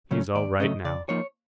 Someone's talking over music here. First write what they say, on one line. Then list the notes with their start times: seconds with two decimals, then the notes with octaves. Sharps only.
"He's all right now."
0.11 C#3 F#3 A3 C#4
0.35 D#2 D5
0.60 C#3 F#3 A3 C#4 D#5
0.84 C#3 D5
1.09 F3 A#3 D#4 C#5